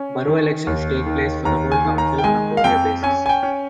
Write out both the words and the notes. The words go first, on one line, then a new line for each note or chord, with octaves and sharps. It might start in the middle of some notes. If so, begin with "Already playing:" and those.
Borough elections take place for the whole council on a four-year basis.
Already playing: C#4
D#3
D#2
D#3
D#2 A#5
G#5
D#3
A#5
G5
G#3 G#5
F5
F2 G5
C#4 G#5
G#5
G5
C#4